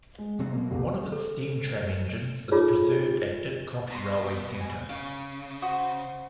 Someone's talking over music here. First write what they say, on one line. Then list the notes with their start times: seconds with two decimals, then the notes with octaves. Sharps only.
One of its steam tram engines is preserved at Didcot Railway Centre.
0.18 G#3
0.39 C3 F#3 C4
0.53 B2 A#3
0.71 F1 B1 F#2 G4
1.12 A4
2.52 D#4 F4 G#4 A4 C#5
3.90 B2 A#5 C6
4.60 G#5
4.89 C#3 F5 C#6
5.62 F#4 C5 D#6